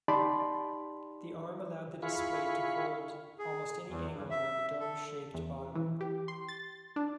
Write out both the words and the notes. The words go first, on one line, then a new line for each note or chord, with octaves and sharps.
The arm allowed the display to hold almost any angle around the dome-shaped bottom.
D#4 G4 D5 A5 B5 C6
E4 F4 G#4 F5 B5 C#6
G#4
E2
G2
E5
A4
E2
E3
G4
C6
A6
D4